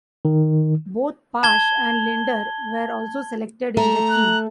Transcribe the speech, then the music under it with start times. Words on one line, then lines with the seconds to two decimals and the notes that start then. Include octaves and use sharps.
Both Pash and Lindner were also selected in the team.
0.25 D#3
1.43 A5 G#6 G7
3.77 A3 A#5
4.10 F#6